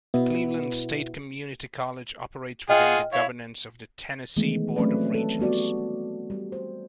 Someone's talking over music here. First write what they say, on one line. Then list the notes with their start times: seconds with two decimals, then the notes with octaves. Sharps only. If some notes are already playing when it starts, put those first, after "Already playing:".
Cleveland State Community college operates within the governance of the Tennessee Board of Regents.
0.14 B2 B3 E4
2.69 F4 G#4 D#5 F#5 G5 F6
3.13 E4 C#5 F5
4.36 D#3 E3 G#3 A3 B3
4.76 F#3 A3 C4 C#4 B4 D5
5.14 A4
5.39 G3 B3 F#4 D5
6.30 G3
6.52 C5